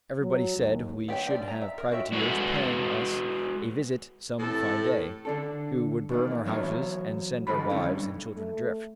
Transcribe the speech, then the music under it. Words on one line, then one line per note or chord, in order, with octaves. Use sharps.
Everybody said we should have privateers paying us a visit some fine day, who would burn our houses, and send our wives and children adrift.
F#3
D#2
B3 G4 C#5 G5
G3 B3 D4 G4 D5
A#5
E5
A#4
F#4 G4 C#5 E5
G#3 F#4 G#4 A4 B4 F#5
A2 C3 E3 A4
D3 D4 A4
E2 A#2 D#3
E3 F#3 B3 C#5 E5
D3 E3 G#3 A4 B5
B1 G2 G3 C#4 D4 E4
A3